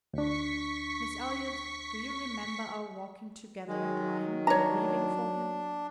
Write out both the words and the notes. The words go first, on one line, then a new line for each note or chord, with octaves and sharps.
Miss Elliot, do you remember our walking together at Lyme, and grieving for him?
D2 D4 C#6 B6
D#3 F#3 G#3
D4 C#5 A#5